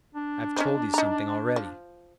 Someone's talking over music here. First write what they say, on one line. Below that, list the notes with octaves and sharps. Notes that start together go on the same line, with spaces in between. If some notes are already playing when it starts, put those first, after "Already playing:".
I've told you something already....
D4
C#4 D#4 C5
D#4 A#5
F3